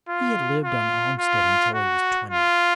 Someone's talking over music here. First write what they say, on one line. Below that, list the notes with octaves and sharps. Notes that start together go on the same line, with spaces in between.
He had lived on the homestead until he was twenty.
F4
F4
F4
F#4
F4